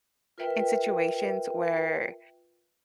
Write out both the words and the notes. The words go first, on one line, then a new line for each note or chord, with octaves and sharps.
in situations where
F4 A#4 B4 E5 G5